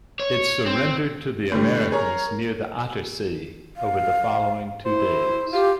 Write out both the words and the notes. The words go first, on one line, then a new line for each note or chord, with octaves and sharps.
It surrendered to the Americans near the Attersee over the following two days.
C#5
C4
A2 D3 G3
G#4 A#4 C#5 A#5
F5
E4 C5
F4 G4